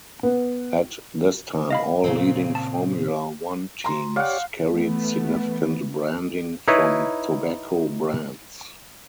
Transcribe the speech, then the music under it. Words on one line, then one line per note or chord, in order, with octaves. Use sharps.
At this time all leading Formula One Teams carried significant branding from tobacco brands.
B3
D#5 F5 B5
A#2 C#3 C4
A5
A#5 C6
G4 C#5 D5 F5 F#5
E3 A3 B3
D#4 E4 B4 C#5